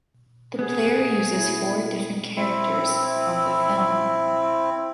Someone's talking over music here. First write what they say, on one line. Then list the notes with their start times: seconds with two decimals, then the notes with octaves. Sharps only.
The player uses four different characters from the film.
0.59 C3 B3 G#4
1.35 E4
2.37 C4 E4